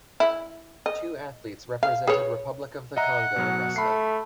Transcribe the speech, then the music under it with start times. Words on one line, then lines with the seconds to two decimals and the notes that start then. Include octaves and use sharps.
Two athletes represented Republic of the Congo in wrestling.
0.20 E4
0.86 D#5
1.83 F5
2.07 G#4 B4 C#5
2.97 D#5 E5 F#5 A#5
3.36 B2 F#3 F6
3.76 A3 B5 C7